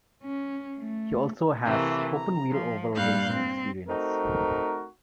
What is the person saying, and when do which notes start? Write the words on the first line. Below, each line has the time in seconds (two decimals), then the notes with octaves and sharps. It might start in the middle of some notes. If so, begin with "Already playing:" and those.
He also has open-wheel oval racing experience.
0.23 C#4
0.79 A3
1.64 C3 E3 A3 A#3
2.15 A#5
2.50 F3
2.96 G2 A#2 G3 F5 F#6 G6
3.33 C4
3.88 A3 C4 D#4 F#4 A#4